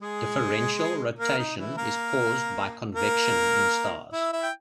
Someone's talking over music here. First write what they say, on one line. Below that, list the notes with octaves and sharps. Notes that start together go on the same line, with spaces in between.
Differential rotation is caused by convection in stars.
G#3 G#4
A#3 A#4
D#4
E3 E4
A#3 A#4
A#3 A#4
E4 E5
E4 E5
G5